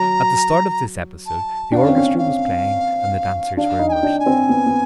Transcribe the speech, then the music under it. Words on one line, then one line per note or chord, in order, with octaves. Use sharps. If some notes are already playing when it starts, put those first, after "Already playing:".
At the start of this episode the orchestra was playing and the dancers were in motion.
Already playing: F#3 A#5
A5
D4 G5
F5
C#4
C4
C#4
F5
D4 F5
D#4
G#5
G5
D4
G#5
C4
B3
B3